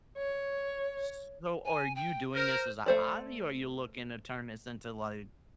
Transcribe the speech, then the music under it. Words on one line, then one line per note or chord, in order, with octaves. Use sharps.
So, are you doing this as a hobby, or are you looking to turn this into, like,
C#5
G#5
G5
A#4 C5
A3 C5 D5